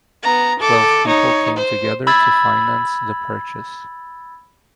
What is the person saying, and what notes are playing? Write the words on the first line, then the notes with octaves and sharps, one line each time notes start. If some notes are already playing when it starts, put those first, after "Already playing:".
Twelve people came together to finance the purchase.
B3 A#5
A4 D6
D#4 C#5
C5
B5 E6 G#6 A6